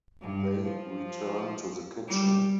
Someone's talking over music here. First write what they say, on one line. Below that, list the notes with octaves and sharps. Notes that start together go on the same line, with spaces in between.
They returned to the kitchen.
G2
F3
G3